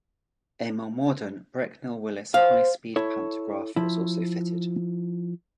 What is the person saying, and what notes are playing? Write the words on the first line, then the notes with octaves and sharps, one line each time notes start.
A more modern Brecknell Willis high speed pantograph was also fitted.
C5 F5
E4 A4 C#5
F3 E4